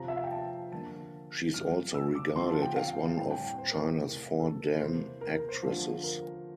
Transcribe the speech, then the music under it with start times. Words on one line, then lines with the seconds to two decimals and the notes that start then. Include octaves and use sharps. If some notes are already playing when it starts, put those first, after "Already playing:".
She is also regarded as one of China's Four Dan Actresses.
Already playing: F2 C3 F3 A#5
0.08 E5
0.16 F5
0.24 G5
0.31 A5
0.72 D3 F3 A#3 D4 A5
1.54 G2 F3 A3 F6
1.94 E6
2.15 D6
2.35 D3 F3 C4 E4 C6
2.49 A5
2.62 G5
2.76 F5
3.17 A2 G3 C4 E4 G5
3.31 G5
3.44 G5
3.58 C5
3.71 A#4
3.85 A#4
3.99 C3 E3 A3 E4 A#4
4.40 A4
4.60 A#4
4.80 C3 E3 A#3 E4 C5
5.21 A#4
5.35 A#4
5.49 C5
5.62 D3 F3 A3 D4
6.03 A#4